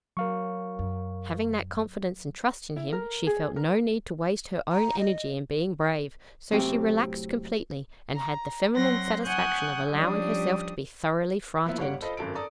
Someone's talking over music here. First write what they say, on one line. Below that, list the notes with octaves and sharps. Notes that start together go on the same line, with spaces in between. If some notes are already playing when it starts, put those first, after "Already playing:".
Having that confidence and trust in him, she felt no need to waste her own energy in being brave; so she relaxed completely, and had the feminine satisfaction of allowing herself to be thoroughly frightened.
F#3 A#4 F5 C#6
F#2
E4
A#4
G#4
A#4
A#5
D#5
A2 C3 F#3 C4 G4
A#5
F#3 C4 F#5 C6 A#6
F#5 G#5 C#6 D#6 F#6 G6
F3 G3 C#4 D4 G4 D#6
F3 A#3 B3 E4
G1 G3 C#5 F5 F#5 D7
F4 A4 C5 D#5 B5
G#1 F#2 A4 D7
A4 D5 A#5 D#6